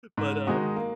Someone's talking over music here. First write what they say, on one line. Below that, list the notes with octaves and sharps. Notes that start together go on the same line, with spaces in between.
But, um
G#2
D#3 G#3 D#4 F#4
A#3